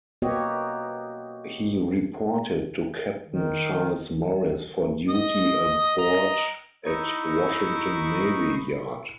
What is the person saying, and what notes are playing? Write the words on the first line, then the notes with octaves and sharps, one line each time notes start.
He reported to Captain Charles Morris for duty aboard at Washington Navy Yard.
A#3 B3 F#4 G4 C#5 D#5
D#3
D#5 D#6
D#5 A#5
D#4 E4 C#6